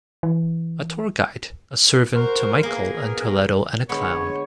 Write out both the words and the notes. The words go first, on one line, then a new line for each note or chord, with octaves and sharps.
A tour guide, a servant to Michael and Toledo and a clown.
E3
F#4 A#4 C5
A#3 B3 G#4 A#4
D3 G#3 B3 C#5